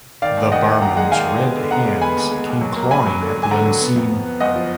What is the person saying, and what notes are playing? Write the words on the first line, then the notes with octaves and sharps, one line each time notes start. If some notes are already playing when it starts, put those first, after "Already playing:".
The barman's red hands came clawing at the unseen.
D#3 D5 F5
D#2
D#3 D#5 F#5
D#2
D#2 F#5 A#5
G#3 F#5 A#5
D#3 F5 G#5
G#3
B3
D3
B3 F#5 A#5
G#3
B3 G#5 B5
D#2
G#3
D#2
F#3
A#3
A#5
A#3 G#5 B5
F#3
D3
D3
G#5
D3 F#5 A#5
F#3
B3
F2
F3
B3
F#1 D#5 F#5
F3